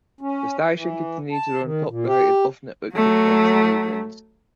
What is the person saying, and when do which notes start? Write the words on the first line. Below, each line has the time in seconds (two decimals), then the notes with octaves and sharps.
The station continued to run top rated off-network sitcoms in the evenings.
0.21 C#4
0.74 E3
1.32 A5
1.63 D#3
1.89 A#2
2.07 G4
2.95 F#3 A3